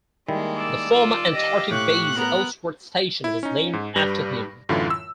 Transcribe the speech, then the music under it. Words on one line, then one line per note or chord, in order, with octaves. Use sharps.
The former Antarctic base Ellsworth Station was named after him.
D#3 G3 G#3 A#3 E4
D5 E6
F4
G4 D#5 F5
A2 C#6 F#6
B3 A#4 A#5
E4
C#4 D#4
G#2
G2 G3 B4 A#6
F#2 A2 D3 E3 E4 F4
E6